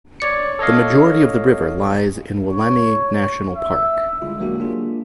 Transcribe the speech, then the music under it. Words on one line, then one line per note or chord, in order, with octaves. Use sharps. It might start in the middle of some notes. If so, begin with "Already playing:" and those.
The majority of the river lies in Wollemi National Park.
C#5 D5 C#7
A4 C#5 D#5 F5
C#5
E5
D3 G3 G#3 E4 F4
F#3 G#3 A#3 D4 F#4 G4
A#3 D4 F4 G#4